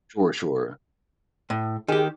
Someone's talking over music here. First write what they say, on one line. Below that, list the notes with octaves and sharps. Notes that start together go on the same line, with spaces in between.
Sure, sure.
A2
D#3 G4 G#4